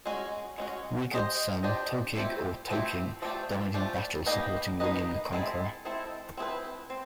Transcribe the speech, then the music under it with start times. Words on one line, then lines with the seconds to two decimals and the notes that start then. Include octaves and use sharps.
Wigod's son, Tokig or Toking, died in battle supporting William the Conqueror.
0.06 G#3 C#4 F#4
0.58 G#3 C#4 F#4
1.11 D4 G4 C5 D#5
1.63 D4 G4 C5 D#5
2.16 F3 A3 C4 E4 G4
2.69 F3 A3 C4 E4 G4
3.22 F3 A3 D4 G4
3.74 F3 A3 D4 G4
4.26 A#3 D#4 G4 B4 D#5
4.80 A#3 D#4 G4 B4 D#5
5.33 G#3 C4 E4 A4
5.85 G#3 C4 E4 A4
6.37 C4 E4 G#4 B4
6.90 C4